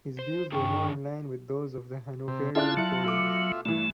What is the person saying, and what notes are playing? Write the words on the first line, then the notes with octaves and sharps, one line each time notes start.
His views were more in line with those of the Hanoverian Tories.
C5
G2 D#3 D4 G#4 G5 C#6
C3
C#4 E4 F4 G#4 D5 A5 F#6
F#3 E4 C#7
B2 A3 F4 E5 D6
G2 E3 A3